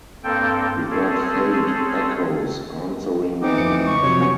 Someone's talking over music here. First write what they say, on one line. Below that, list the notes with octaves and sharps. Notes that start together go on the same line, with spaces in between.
He heard faint echoes answering them.
G2 A#3 C4 A4 G5
C4 C#4 G#4 A4
E3 B3 C4 D#4 D6
F2 C#7
C#6
C3 F3 F#3 C#5
B3 C#4 F#4 C#6